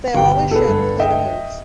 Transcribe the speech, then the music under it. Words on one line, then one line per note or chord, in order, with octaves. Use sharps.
They are always shown with cloven hooves.
G1 B2 F#4 G4 G5
B2 G#4 A4 B4
G2 D3
D#5 E5 G5